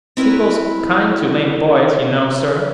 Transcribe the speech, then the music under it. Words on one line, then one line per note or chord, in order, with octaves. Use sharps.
People's kind to lame boys, you know, sir.
C4 E4 A#4 B4 C#5